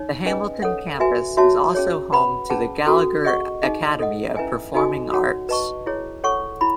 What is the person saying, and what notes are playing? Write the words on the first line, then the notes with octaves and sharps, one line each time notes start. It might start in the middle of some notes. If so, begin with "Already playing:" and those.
The Hamilton campus is also home to the Gallagher Academy of Performing Arts.
Already playing: D#4 C#5
C#4 G#4 B4 D#5 G#5
A4 C#5 F#5
F#4 B4 E5 G#5
F#4 C#5 E5 A5
C#4 G#4 C#5
B4 F#5 B5
C#4 G#4 B4 F#5 A5
C#4 F#4 A4
G#4 D#5 F#5 C#6
D#4 G#4 D#5
A4 D#5 F#5
C#4 E4 B4 E5 G#5
D#4 F#4 A4 D#5 G#5
F#4 C#5 F#5
B4 D#5 A5 C#6
E4 G#4 C#5
A4 C#5 F#5 C#6
E4 B5